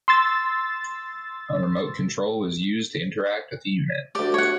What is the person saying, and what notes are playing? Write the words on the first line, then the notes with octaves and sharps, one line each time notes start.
A remote control was used to interact with the unit.
C6 E6 A6
D2 G4 D5
C#5 F#5